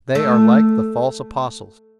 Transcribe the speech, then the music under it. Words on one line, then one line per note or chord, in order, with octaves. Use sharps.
They are like the false apostles.
A3